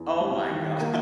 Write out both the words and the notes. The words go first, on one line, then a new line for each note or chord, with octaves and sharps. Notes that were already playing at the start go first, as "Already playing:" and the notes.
Oh my god.
Already playing: E2
G3
D#3
A#3